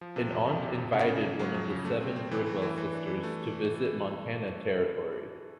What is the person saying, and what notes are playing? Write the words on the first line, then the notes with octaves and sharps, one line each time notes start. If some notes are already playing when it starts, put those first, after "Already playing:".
An aunt invited one of the seven Bridwell sisters to visit Montana Territory.
F3
C3
F2
F2
C3
F2
C#3
C#3
A#3
F#3
F2
C#3
A3
C4
C4
E3
A3
E3
E3
D4
E3
A3